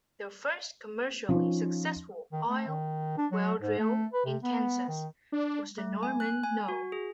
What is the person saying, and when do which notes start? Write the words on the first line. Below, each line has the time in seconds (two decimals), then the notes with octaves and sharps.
The first commercially successful oil well drilled in Kansas was the Norman No.
1.29 F3 C#4 D#4
2.32 D#3
2.47 A3
2.67 D#3
3.18 D4
3.32 F#3
3.62 G#2
3.78 A3
4.13 B4
4.25 C3
4.43 B3
4.88 D#3
5.32 D4
5.78 A3
6.03 G#5
6.20 F#6
6.44 G#5
6.68 F#4
6.92 G#4